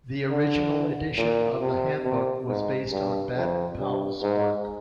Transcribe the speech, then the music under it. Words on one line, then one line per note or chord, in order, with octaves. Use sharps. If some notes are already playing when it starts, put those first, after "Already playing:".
The original edition of the handbook was based on Baden-Powell's work.
D3
A#2
C3
C3
G#2
G2
F2
G2
G#2